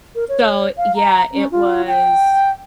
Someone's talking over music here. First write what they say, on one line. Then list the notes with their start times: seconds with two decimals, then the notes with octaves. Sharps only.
so, yeah, it was,
0.15 A#4
0.29 C#5
0.77 F5
0.96 A#5
1.34 C#4
1.52 F4
1.87 G5